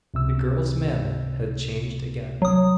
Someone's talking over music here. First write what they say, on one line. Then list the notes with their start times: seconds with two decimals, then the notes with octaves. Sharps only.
The girl's manner had changed again.
0.14 C#2 C3 E6
2.42 F#3 D#6